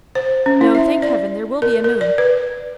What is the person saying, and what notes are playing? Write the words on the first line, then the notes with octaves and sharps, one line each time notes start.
No, thank heaven, there will be a moon.
C5
C#4
E4
E5
D5
A#4
A#4
D5
B4